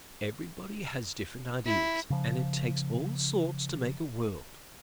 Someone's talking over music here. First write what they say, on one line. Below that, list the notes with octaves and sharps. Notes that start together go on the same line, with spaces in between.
Everybody has different ideals, and it takes all sorts to make a world.
E4
C#3 F3